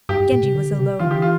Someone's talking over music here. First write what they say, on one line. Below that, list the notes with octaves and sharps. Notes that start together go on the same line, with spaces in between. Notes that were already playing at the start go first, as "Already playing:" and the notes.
Genji was alone.
G2 G4
G2
A2
C3
D3
D3
C3
E3 F4
D3
E3 G4
F4